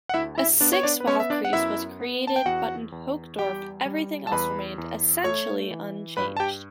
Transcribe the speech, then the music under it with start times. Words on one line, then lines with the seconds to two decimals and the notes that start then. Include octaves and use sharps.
A sixth Wahlkreis was created, but in Hochdorf everything else remained essentially unchanged.
0.09 F#5
0.14 D2 E4 E5
0.38 E4 E5
0.61 B3 D4 D5
0.73 C#5
0.83 D4 D5
1.00 B4
1.07 B3 C#4 C#5
1.20 E5
1.30 D4 D5
1.45 F#5
1.53 F#2 E4 E5
2.00 B3
2.27 A5
2.36 G5
2.46 E2 F#4 F#5
2.92 E2
3.39 G3 G4 G5
3.86 G3
4.27 A5
4.31 E2 B4 B5
4.78 E2
5.24 A3 C#5 C#6
5.71 E3
6.17 G2 B4 B5
6.37 A5
6.40 G4 G5